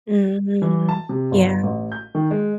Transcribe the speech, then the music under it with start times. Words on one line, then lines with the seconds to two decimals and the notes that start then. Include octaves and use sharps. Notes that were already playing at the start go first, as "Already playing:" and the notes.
Mhm. Yeah.
0.62 E3
0.89 A5
1.09 C3
1.31 G1
1.63 A1
1.92 G6
2.15 D#3
2.31 G#3